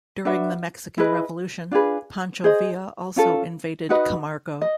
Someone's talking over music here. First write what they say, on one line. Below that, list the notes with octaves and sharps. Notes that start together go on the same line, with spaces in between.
During the Mexican Revolution, Pancho Villa also invaded Camargo.
D4 F#4 B4 E5
E4 G#4 B4 D#5
D4 F4 G#4 B4
G#4 C5 D#5
C#4 F4 A4
D#4 F#4 B4 D#5
D#5